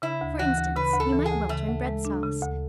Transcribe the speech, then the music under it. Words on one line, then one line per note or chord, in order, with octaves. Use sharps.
For instance, you might welter in bread-sauce.
C#3 E4
D2
E3 F#4
D2
C#3 B4
D2
A4
E3
G#4
D2
C#3 A3
D2
G#3
D4
C#3
D2